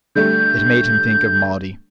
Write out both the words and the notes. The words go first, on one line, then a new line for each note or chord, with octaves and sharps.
It made him think of Maudie.
D3 G3 A3 G6